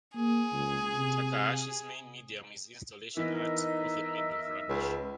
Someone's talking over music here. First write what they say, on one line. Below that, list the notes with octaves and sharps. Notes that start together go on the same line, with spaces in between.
Takahashi's main medium is installation art, often made of rubbish.
A#3 G#4
C#2
C3
E3 B3 D#4 A#4 D#5 E5 B6
C#2 C#4 B4